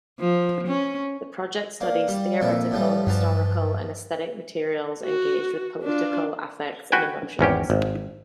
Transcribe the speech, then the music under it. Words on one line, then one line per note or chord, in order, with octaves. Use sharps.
The project studies theoretical, historical, and aesthetic materials engaged with political affects and emotions.
F3
C#4
A#3 D5 F5
G3
F2 A#2 E4
A2 F3 G3
G2 E3 F3 A5
F#4
D4 F4
F#4 B4 G5 G#5
G#1 E2 C#4 G4
G#1